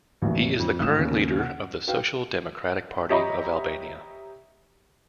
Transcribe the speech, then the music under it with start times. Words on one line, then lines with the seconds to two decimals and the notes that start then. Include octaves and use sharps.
He is the current leader of the Social Democratic Party of Albania.
0.22 A1 D#2 A2 F#3
0.59 F2
0.80 G#1 A2 F4 D#6 E6 E7
0.98 D#2 C#3
1.39 F#5
1.88 F#4 B4 F5 G5
3.09 G4 C#5 D#5 E5 A#5 B5